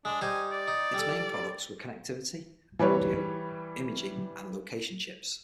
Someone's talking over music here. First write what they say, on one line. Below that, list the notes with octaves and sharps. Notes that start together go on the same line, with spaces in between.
Its main products were connectivity, audio, imaging and location chips.
G#3 D4
G3 D#4 C5 G#5
D5
D#4
G3 A4
E3 G3 B4 C#5